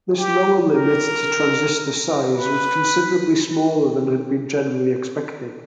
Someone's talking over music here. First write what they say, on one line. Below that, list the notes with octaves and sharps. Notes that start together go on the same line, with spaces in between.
This lower limit to transistor size was considerably smaller than had been generally expected.
G4
A#4
B4